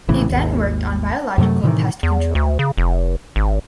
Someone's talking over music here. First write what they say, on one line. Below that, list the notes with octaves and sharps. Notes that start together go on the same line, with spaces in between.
He then worked on biological pest control.
A#1 A2 C#3 E3
G#1 D#2
F#2 C3 F#3 A3
A2 C3 D#3 E3
E2
D2
C#3
F1
G#1